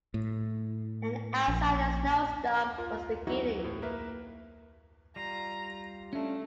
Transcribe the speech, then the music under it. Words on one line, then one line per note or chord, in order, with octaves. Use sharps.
And outside a snowstorm was beginning.
A2
A#1
F4 A#4
E3 F#3 D#4 E4 F#4
A2
A#3 A#4 B4 E5
G3 F4 A#5
A3 C#4 D4